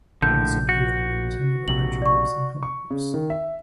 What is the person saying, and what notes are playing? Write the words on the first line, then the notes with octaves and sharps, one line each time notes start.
They also appear in the Nintendo Adventure Books and comic books.
A#1 A2 D3 G6
F#4
A#1 C3 F#7
D5 C#6
C#6
C#3
D#3
E5